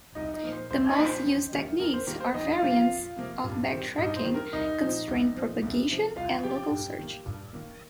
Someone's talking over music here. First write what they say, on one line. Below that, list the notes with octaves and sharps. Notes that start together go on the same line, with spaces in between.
The most used techniques are variants of backtracking, constraint propagation, and local search.
C2 D#4 D#5
D#4 D#5
A#2 F3 A#3
C5
C2 C5
D#4 D#5
A#2 F3 A#3
C5
F2
D#3 G3 A#3
F2 A#4
C5
D#3 G3 A#3 A#4
C5
F2 D#4 D#5
F4 F5
C3 F3 A#3
F4 F5
F2
C3 F3 A#3
G2
D#3 G3 C4
G2 D#4 D#5
C5
D#3 G3 C4
A#4
C2 D#4 D#5
A#2 F3 C4
C2
A#2 F3 C4
C2
C3 F3
C2 F4 F5
C3 F3 G4 G5
G2
D#3 A#3
G2
D#3 A#3